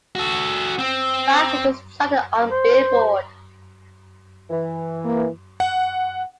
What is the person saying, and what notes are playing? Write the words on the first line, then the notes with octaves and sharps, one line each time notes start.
Five singles charted on Billboard.
F#4 A4
C4
C5
E3
A#3
F#5